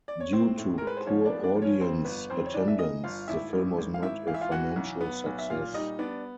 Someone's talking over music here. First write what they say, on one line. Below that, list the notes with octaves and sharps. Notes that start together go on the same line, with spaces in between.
Due to poor audience attendance, the film was not a financial success.
D5
C#5
A2 C4 C5
A2
G#3 A#4
B4
C5
F3 C#4 C#5
D4 D5
B3
D4 D5
F3
C#4 C#5
F2 C4 C5
G1 B3 B4
F2 C4 C5
C#5
E3 D4 D5
E5
E3 D#4 D#5
G1 F4 F5
G#1 E4 E5
G2
G#1
F5
G#1 E4 E5
E3 F5
E5
F4 F5
E3 F#4 F#5
B1
B3
B1
E5
A#2 F4 F5
G3 D#4 D#5
B3 D4 D5